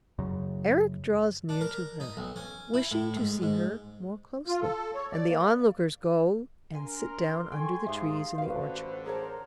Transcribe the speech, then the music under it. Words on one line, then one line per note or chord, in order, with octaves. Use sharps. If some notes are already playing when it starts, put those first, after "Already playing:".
Erec draws near to her, wishing to see her more closely, and the onlookers go and sit down under the trees in the orchard.
F#2 C#3
D4
A#4
D#4
B1
C#4
E4
A2
G#2
G#2
F4
A4
C#5
D5
A#3
D4 A#4 G#5 C6
C#4 A4 G5 G#5 C#6
G#2 G4 E5 F5 D#6
A1 D3 F#4 B4 C5 F5
G#4 A#4 C5 C#5 A5 A#5